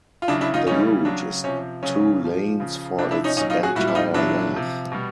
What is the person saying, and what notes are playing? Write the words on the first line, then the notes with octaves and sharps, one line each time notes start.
The route is two lanes for its entire length.
F4
C#3 F#3 D4 E4
D4 E4
D#4 F4
C#3 E3 G3 C#4 D#4
C#3 F#3 D4
C3 F3 C#4
C#3 F#3 C#4
A#2 F3
C#3 F3
C3 F3 D4
D4 E4
C#4 D#4
A#2 F#3 C#4 D#4
D#4 F4
F#4 G#4
A#2 G3 E4 F#4
E4
D#4 F4
A#2 F#3 D4 E4
C3 F3
B2 G3